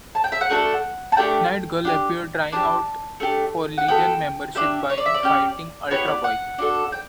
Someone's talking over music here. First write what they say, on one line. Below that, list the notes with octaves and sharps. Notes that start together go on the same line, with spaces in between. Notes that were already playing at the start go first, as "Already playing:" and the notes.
Night Girl appeared trying out for Legion membership by fighting Ultra Boy.
A5
G5
E5
F#5
A3 D4 F#4 A4
A5
A3 D4 G4 G5
D4 G4
D4 G4 A5
A3 D4 G4
F#5
B3 F#4 A4 G5
D4 G4 E5
C#5
D5
E5
D5
C#4 G4
B3 E4 G4 C#5
D5
F#5
D4 F#4 A4
G5